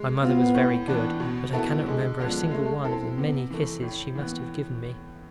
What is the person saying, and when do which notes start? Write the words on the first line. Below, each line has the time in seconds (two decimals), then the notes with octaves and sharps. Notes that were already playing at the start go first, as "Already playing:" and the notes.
My mother was very good, but I cannot remember a single one of the many kisses she must have given me.
Already playing: G#3
0.22 B3 C4 F4
0.55 A2
0.88 E3 B3 D4
1.20 B2
1.53 B3 E4 A4
1.86 D3 G#3
2.19 F3 G#3 B3 D4
2.51 G#3 A3
2.84 C4 E4 A4
3.17 C3 B3
3.50 E3 A3
3.83 A2
4.15 E3 B3